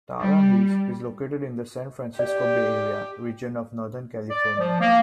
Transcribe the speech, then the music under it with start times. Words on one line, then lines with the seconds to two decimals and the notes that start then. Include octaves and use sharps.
Tara Hills is located in the San Francisco Bay Area region of Northern California.
0.21 G3
2.19 G4 D5
4.30 D5
4.58 F3
4.81 A#3